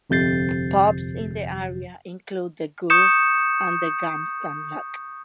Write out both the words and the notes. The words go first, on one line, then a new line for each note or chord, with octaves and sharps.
Pubs in the area include 'The Goose' and 'The Gamston Lock'.
G1 F2 C3 G6 A6 C7
C#6 D#6 G6 C#7 E7